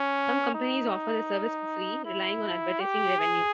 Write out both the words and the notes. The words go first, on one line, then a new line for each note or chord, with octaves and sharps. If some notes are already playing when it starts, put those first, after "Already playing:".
Some companies offer the service for free, relying on advertising revenue.
Already playing: C#4
D#4
E4
G4
G#4